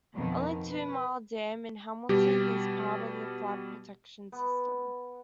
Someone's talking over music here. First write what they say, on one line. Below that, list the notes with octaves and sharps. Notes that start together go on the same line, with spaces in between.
Only Two-mile Dam in Hamilton is part of the flood protection system.
F2 B2 D#3
B4
B2 G3 G4
B3